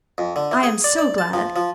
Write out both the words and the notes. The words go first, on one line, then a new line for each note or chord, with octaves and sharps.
I am so glad.
F2
D3
E3
G#4
D5
D5
A5
F3
F3